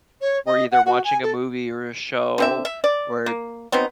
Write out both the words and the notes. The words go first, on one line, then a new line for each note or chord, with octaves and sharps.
we're either watching a movie or a show. We're
C#5
D#5
F#5
F#4
G#5
A4
D3 C4 E5
E5
D5
A#3
F#3 B3 C4 D#4